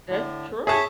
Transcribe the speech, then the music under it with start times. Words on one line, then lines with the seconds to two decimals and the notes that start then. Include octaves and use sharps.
That's true.
0.08 A2 D3
0.67 G#4 C#5 E5 A5